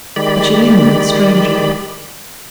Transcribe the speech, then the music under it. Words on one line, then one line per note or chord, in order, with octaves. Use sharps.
But she lingered strangely.
D#3 G#3 G4 D5 B5